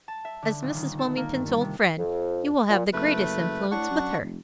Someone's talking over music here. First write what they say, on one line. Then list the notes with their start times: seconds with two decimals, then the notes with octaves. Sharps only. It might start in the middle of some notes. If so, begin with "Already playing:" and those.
"As Mrs. Wilmington's old friend, you will have the greatest influence with her."
0.08 A5
0.25 E5
0.42 D3
0.62 D#1
0.76 D#3
0.99 A4
1.17 A#3
1.34 G2
1.46 A3
1.61 C3
1.98 F2
2.70 A#2
2.93 F#1 A3 B4
3.71 A2 D4 F#5 C#6
3.90 F#2
4.23 F1